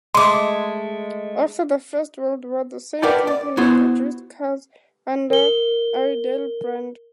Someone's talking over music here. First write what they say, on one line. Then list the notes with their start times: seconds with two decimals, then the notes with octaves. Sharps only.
After the First World War, the same company produced cars under Airedale brand.
0.15 G#3 A3 C6 D6
3.02 A#4 B4 D5 F#5 G5 A5
3.27 D5
3.57 B3 E4 F#4 C5
5.30 A#4 G7